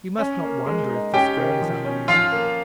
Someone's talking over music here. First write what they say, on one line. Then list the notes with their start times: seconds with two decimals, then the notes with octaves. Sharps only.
You must not wonder if this girl is unreasonable.
0.19 C#4
0.42 A#3
0.66 G#3
0.89 D#4
1.14 C#4 G4 G5
1.37 D#3
1.61 F3
1.85 C#4
2.08 F3 F4 F5
2.32 A#3